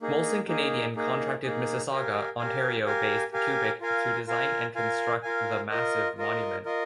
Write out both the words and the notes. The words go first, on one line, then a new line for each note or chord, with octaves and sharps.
Molson Canadian contracted Mississauga, Ontario-based Kubik to design and construct the massive monument.
A#3 D#4 G#4
A#3 D#4 G#4
A#3 D#4 G#4
A#3 D#4 G#4
G4 A#4 F5 G#5
G4 A#4 F5 G#5
G4 A#4 F5 G#5
G4 A#4 F5 G#5
F4 A#4 F5 G#5
F4 A#4 F5 G#5
F4 A#4 F5 G#5
F4 A#4 F5 G#5
F4 A#4 D#5
F4 A#4 D#5
F4 A#4 D#5